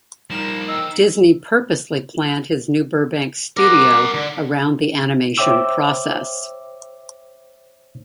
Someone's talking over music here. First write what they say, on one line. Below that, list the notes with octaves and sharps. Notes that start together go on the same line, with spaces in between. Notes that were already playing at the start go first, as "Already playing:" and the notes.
Disney purposely planned his new Burbank studio around the animation process.
F3 G3 A#3 D#4 E7
D#5 G5 E6
A#4 F#5 D6
D3
C5 C#5 E5 G5 D6 E6